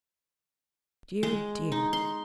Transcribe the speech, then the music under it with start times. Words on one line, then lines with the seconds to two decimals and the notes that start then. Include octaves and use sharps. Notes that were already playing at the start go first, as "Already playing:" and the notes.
Dear! dear!
1.23 G#3
1.72 D#4
1.93 C6